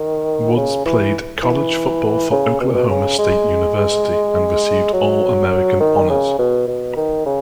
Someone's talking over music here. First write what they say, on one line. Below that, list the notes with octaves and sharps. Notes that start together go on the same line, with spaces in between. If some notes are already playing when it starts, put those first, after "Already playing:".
Woods played college football for Oklahoma State University, and received All-American honors.
Already playing: D#3
C#3
E3
E3
C#3
B2
A#2
B2
C#3
G#3
F#3
D#3
C#3
B2
B2
D#3
C#3